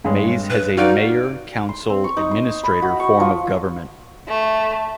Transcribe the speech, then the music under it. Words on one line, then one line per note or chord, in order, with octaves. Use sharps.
Maize has a mayor-council-administrator form of government.
G2 G#3 C#5
B4
D#4 F4 F#4 D5
C6
C4
C#6
D#4
C6
B5
F#4
C#6
F3
A3